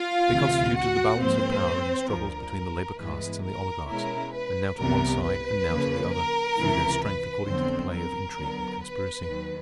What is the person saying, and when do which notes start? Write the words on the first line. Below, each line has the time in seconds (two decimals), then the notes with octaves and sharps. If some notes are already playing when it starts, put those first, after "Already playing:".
They constituted the balance of power in the struggles between the labor castes and the oligarchs, and now to one side and now to the other, threw their strength according to the play of intrigue and conspiracy.
Already playing: F4 F5
0.30 D2 C3 E3
0.75 F#4 F#5
1.19 G#2 F3 A#3 C4 C5
2.10 D2 D3 F3 A#4
2.99 G2 E3 G#3 B3 B4
3.43 A#4
3.88 B2 G#3 C#4 E4 A#4
4.34 B4
4.77 C2 C3 E3 G3 B3 A#4
5.23 B4
5.68 C#3 F3 A#3
6.13 A#4
6.57 C#2 C3 E3
7.03 B4
7.46 F2 D3 F#3 B3 C4 C5
7.92 A#4
8.36 D3 F#3 B3
8.82 B4
9.26 D#2 D#3 F#3